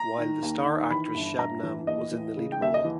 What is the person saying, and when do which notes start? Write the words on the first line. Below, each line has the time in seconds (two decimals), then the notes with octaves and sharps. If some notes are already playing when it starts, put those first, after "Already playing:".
While the star actress Shabnam was in the lead role.
Already playing: A#5
0.18 D#3
0.42 D#2
0.66 D#3
0.91 E3 B5
1.15 G1
1.39 G1 A#5
1.63 E3
1.87 D#2 D#5
2.11 E3
2.37 C#3
2.52 G5
2.61 D#2 E5
2.74 D#5
2.85 E3